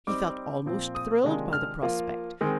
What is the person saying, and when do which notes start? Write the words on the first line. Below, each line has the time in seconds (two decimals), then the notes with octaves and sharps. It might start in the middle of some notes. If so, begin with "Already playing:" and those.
He felt almost thrilled by the prospect.
0.07 G3 C4 D#4 D6
0.66 A#2 F3 C4
0.95 D#6
1.24 C3 D#3 G#3 D4 F4
1.53 F6
1.83 F3 A#3 F4
2.41 D#3 G#3 C4